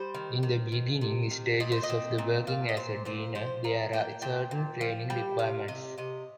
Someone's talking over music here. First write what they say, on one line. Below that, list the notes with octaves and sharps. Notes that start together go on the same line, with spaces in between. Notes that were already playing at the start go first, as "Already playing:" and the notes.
In the beginning stages of working as a diener, there are certain training requirements.
Already playing: G3 C5
D#3
D#3
D#3
C3
D#3
A#2 D#5
C5
D#5
C4
A#2
A#2 F5
D#5
A#2 C5
A#2 C5
F3 C5
F3 A#5
A#3 G5
A#2 G5
A#2
F3
G3 G5
C3 F5
C3 D#5
C3 D#5